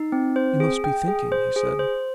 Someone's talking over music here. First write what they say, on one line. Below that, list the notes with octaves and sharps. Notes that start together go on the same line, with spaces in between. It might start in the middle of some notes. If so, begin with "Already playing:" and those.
"You must be thinking," he said.
Already playing: D#4
C4
C5
G#4
G5
G#4
C5
G#4
C5